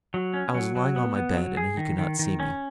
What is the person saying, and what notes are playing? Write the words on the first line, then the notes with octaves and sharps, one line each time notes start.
I was lying on my bed, and he could not see me.
F#3
C#4
F#3
F#3
B3
B3
F#3
G#4
D#3
D#3
D#3
C#4